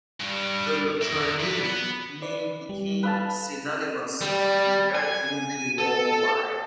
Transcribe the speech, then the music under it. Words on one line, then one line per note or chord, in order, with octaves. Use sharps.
The LeTourneau name became synonymous with earthmoving worldwide.
G2 G3
A#4 E5
D4 B4
B3
B4 D5
G3
B4 F5 A5
G3
G#5
A4